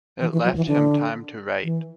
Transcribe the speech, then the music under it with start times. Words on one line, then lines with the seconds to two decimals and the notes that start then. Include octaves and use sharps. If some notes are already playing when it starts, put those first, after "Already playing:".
It left him time to write.
0.20 E3
0.33 E3
0.44 F#3
0.56 E3
0.67 D3
1.64 E3